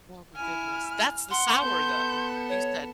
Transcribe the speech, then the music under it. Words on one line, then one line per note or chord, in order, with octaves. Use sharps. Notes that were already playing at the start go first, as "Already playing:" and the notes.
Oh, my goodness, that's the sour, though! You said,
E4 G#5 F6
F#5 C6
B3 A4 G6
C#5